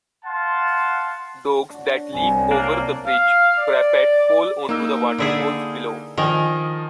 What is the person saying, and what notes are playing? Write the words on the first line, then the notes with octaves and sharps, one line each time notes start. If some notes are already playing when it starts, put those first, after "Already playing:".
Dogs that leap over the bridge parapet fall onto the waterfalls below.
F5 F#5 A5 C6
D4 F#4
C2 F#2 C3 G#5
A#3 D4
F5
D5
A#3 D#4 E6
D3 E4 G#4
D#3 F3 D#5 G#5